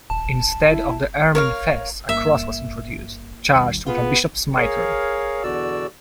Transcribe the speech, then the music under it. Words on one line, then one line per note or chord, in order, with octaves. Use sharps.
Instead of the ermine fess a cross was introduced, charged with a bishop's mitre.
D#1 A5
E4
A#4 C#5 F5
G2 A#3 E5
D#2 D#3 G3
B3 F4 G#4 G#5
G#4 A#4 C#5 F5
E2 B2 D3 F#4 D5 E6